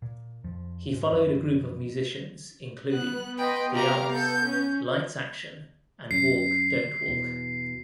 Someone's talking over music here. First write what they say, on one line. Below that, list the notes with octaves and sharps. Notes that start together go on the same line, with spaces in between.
He followed a group of musicians including; The Alps, Lights Action, and Walk.Dontwalk.
A#2
F2 F3
G#2
F#2 E3 F3
B3 F#6
B4 D#5 G5 C6
C3 G4 A#4 F5 A#5
A4 G6
C#4
F#2 C7
E2 B2